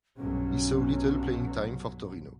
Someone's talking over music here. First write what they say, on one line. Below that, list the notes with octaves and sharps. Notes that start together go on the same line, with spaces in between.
He saw little playing time for Torino.
B1 G2 F#3 C#4